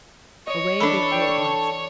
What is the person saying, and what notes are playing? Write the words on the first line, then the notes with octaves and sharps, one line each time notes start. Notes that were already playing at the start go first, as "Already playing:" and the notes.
Away they flew at once.
C#5 D#5
E3 D4 A4 B5
D5 G5